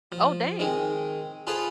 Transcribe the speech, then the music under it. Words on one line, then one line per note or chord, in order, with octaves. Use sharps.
Oh, dang!
F3
D#3 G#3 C4
F4 G#4 A4 B4 C5 F5